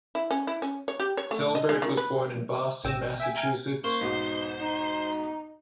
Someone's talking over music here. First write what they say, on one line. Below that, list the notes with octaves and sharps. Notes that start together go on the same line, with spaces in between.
Silbert was born in Boston Massachusetts.
E4
C#4
E4
C#4
C#5
G4
C#5
A3
D#5
G#3
D#3
B4
A1 G5 E6 A#6 D#7 E7
E5 G5 G#5
G5 G#5 A#5 F6 G#6
A#3 C5 C6 C#6
B1 G#2 B2 D#4 B4
D#4 A#5